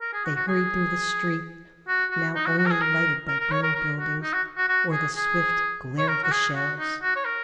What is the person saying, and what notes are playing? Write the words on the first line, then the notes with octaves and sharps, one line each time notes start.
They hurried through the street, now only lighted by burning buildings, or the swift glare of the shells.
A#4
G#4
F#4
F#4
G#4
F#4
F#4
D#4
F#4
F#4
A#4
G#4
A#4
A#4
A#4
C#5
A#4
A#4
F#4
D#4
F#4
F#4
F#4
G#4
G#4
C#5
A#4
F#4
G#4
F#4
D#4
F#4
C#5
A#4